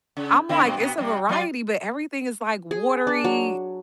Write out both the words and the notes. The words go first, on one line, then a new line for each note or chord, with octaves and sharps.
I'm like, "It's a variety, but everything is, like, watery,
C#3
D3 C4 E4
G2 B2
B2 B3
C3 G3
F#3 F4 D5
G#4
D4
F#3